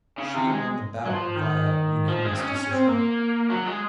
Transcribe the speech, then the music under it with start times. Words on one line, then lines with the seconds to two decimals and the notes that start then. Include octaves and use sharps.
She won the bout via unanimous decision.
0.18 C#3
0.34 C3
0.50 G#3
1.06 F#3
1.13 F3
1.36 D#3
2.08 F3
2.24 G#3
2.33 C4
2.39 C#4
2.55 C#4
2.71 C4
2.87 A#3
3.50 F#3
3.66 G#3